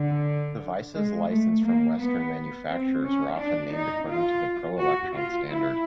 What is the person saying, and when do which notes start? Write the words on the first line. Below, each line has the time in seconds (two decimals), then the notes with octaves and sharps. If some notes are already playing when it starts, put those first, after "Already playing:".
Devices licensed from Western manufacturers were often named according to the Pro Electron standard.
Already playing: D3
0.94 G#3
1.29 A3
1.64 A#3
1.99 B3
2.69 C4
3.04 C#4
3.40 D4
3.75 D#4
4.10 F4
4.80 F#4
5.14 F4
5.50 E4